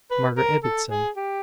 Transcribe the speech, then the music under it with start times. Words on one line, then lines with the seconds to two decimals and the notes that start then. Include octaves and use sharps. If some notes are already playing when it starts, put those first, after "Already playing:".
Margaret Ibbotson!
0.11 B4
0.37 A#4
0.64 A4
0.90 G#4
1.17 G4